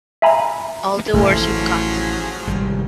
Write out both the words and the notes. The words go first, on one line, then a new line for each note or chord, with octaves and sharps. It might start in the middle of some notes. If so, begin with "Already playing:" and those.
All the words you've got.
E5 F5 G#5 A#5 B5
A1 F3 F#3 A3 G#4
G#1 C3 G3